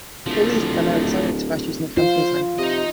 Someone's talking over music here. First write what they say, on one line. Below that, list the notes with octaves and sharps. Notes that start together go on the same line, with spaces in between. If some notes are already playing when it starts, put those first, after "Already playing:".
All of these are primarily sung and expressed using the Cantonese language.
D1 F3 A3
F4 C5
C3 D#4 D#5